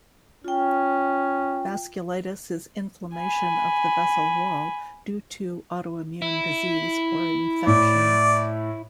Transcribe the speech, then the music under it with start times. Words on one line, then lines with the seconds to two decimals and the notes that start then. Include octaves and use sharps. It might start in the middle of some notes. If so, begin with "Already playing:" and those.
Vasculitis is inflammation of the vessel wall, due to autoimmune disease or infection.
0.44 C#4 F4 G5
3.15 G#5 B5
6.22 E4
7.67 A2 D5